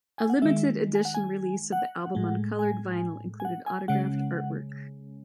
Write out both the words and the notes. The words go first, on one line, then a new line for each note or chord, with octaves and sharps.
A limited edition release of the album on colored vinyl included autographed artwork.
G#5
F#5
D#3 G#3 E5
G#5
F#5
G#5
F#5
A2 G#3
G#5
G#5
F#5
G#5
C#3 G#3 F#5